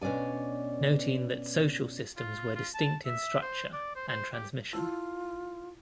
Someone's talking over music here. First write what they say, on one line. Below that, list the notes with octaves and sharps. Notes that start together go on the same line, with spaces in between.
Noting that social systems were distinct in structure and transmission.
B2 C#4 D4 D5 G#5
F4
F4
A5
E5
C5
D5
C5
C5
G4
E4 F4 A5 E6